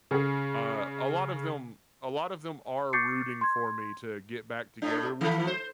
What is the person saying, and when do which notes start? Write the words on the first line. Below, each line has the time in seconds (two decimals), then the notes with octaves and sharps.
Uh, a lot of them a lot of them are rooting for me to get back together with her.
0.11 C#3 C#4 G#4
2.93 C#6 D6 G6 A6 C7 C#7
3.41 C6 G#6
4.82 A2 D4
5.21 D#3 A3
5.47 C5